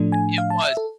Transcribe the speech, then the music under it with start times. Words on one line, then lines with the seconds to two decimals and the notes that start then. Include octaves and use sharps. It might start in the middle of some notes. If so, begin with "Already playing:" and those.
it was.
Already playing: A2 F3 A3 D4
0.12 G#5
0.38 F5
0.50 A5
0.64 E5
0.77 A4